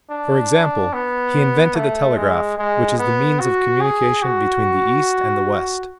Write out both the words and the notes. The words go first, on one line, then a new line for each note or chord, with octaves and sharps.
For example, he invented the telegraph, which is the means of communication between the East and the West.
D4
B3
A3
G#3
G#3
B3
F#4
G#4
F#4